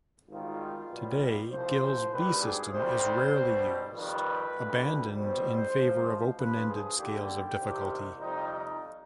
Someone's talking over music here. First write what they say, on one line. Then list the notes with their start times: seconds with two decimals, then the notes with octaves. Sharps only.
Today, Gill's B-system is rarely used, abandoned in favor of open-ended scales of difficulty.
0.28 G#1 G#2 D#3 G3 F4
0.89 B1 B2 G3
1.50 C2 C3 F3 C5
2.11 G#1 G2 D#3 G3 B4
2.42 G#4
2.72 D2 C3 D#3 G3 C5
3.33 B1 B2 G3
3.93 F2 D#3 G3 B4
4.54 D2 D3 G3
5.15 B1 B2 G3 C5
5.76 G#1 G#2 F3
6.37 G2 F3 B4
6.68 G#4
6.97 D#2 D3 G3 G4
7.59 C2 C3 D#3 G3
8.19 F2 C3 G3 D#4
8.50 D#4